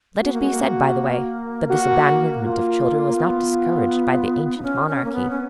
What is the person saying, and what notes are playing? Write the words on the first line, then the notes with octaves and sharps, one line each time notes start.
Let it be said by the way, that this abandonment of children was not discouraged by the ancient monarchy.
B3 F#4
A#3
G#3
A#3
F#4
F4
A#3
B3
D#4
C#4
C#4
A#3
B3
C#4